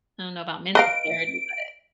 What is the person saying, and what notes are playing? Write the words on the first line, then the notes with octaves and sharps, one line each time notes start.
I don't know about mental clarity, but
B4 D#5 F5 D7